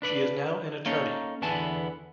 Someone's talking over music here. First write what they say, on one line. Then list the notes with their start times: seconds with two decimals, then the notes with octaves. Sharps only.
She is now an attorney.
0.02 D4 B4 D5
0.86 A#3 C#4 D#4 A4 C#5
1.42 E2 D3 B3 E4 G#5 A5